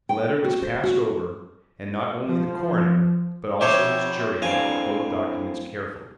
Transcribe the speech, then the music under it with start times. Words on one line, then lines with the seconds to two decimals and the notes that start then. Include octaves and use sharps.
The letter was passed over and not only the coroner, but also his jury, looked at both documents carefully.
0.09 G5
0.44 F#4
0.62 C5
0.83 F#4
2.27 F3
3.61 F2 G4 C5 C#5 E5
4.42 A2 C4 D4 F5 G#5